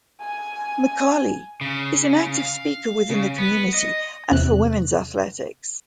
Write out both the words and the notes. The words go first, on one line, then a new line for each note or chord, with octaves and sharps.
McCallie is an active speaker within the community and for women's athletics.
G#5
C#3
F5
C#3
B3
D#5
E2 C3 F#6